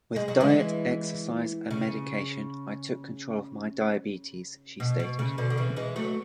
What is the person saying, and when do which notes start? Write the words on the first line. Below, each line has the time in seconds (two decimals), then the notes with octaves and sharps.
"With diet, exercise and medication, I took control of my diabetes," she stated.
0.16 G#3
0.28 F#3
0.40 E3 G#3
1.71 C#3
4.80 B2
5.00 B2
5.19 C#3
5.38 B2 D3
5.50 D3
5.57 C#3 E3
5.77 E3 G#3
5.96 F#3 A3